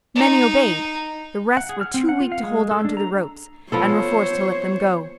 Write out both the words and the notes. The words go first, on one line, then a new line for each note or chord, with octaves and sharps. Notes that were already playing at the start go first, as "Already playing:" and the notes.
Many obeyed; the rest were too weak to hold on to the ropes, and were forced to let them go.
D#4
F#5
G#4
F6
C4
F#5
F4
F5
G#3
A4
D4
A#5
F3 B3 A4 C5 C#5